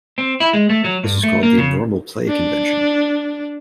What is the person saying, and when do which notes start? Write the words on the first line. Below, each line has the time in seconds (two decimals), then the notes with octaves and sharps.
This is called the "normal play" convention.
0.18 C4
0.40 E4
0.53 G#3
0.69 A3
0.84 F#3
1.03 G2
1.23 A3
1.43 A#3
1.58 C#3
2.29 D4